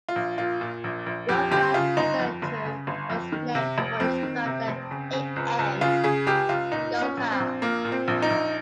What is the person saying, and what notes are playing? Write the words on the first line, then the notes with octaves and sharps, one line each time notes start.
Lyulka-Saturn was named for its founder, A. M. Lyulka.
F4
A#1
A#2 F4
A#2
A#1
A#1
F2 G4
G1 G4
C#3 F4
G1 D#4
F2
G1
C#3
G1
F2
D#3
C3
F1
F2 C4
D#3
C3
F1
C#3
C#3
C#2
C#2
C#3 F4
C#3 G#4
C#2 G4
C#2 F4
A#2 D#4
A#2
C#4
A#1
C4
A#1
A#2 A#3
A#2
C4
A#1
D#4
A#1